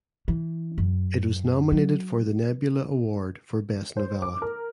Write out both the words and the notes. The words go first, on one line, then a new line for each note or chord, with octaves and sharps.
It was nominated for the Nebula Award for Best Novella.
E3
F#2
F#3
C5
D6
A#4